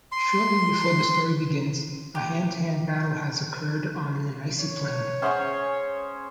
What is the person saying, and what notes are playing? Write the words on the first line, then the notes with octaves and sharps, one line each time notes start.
Shortly before the story begins, a hand-to-hand battle has occurred on an icy plain.
C6
G4
C#5
C#4 G#4 C5 E5 F#5 C#6